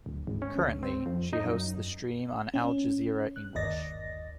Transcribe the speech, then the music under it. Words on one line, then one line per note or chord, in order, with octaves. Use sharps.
Currently, she hosts The Stream on Al Jazeera English.
D1
G#1
C#4
D2
C4
F2
D#4
F#2
C#4
F#6
G1 D#2 D5 D#5 A6 A#6